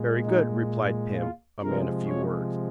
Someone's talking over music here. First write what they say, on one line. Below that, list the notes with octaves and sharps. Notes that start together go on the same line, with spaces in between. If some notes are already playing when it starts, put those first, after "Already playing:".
"Very good," replied Pim, a man of few words.
Already playing: A#2 G#3
D#4
F4
C3 F3 G#3 A#4
C#5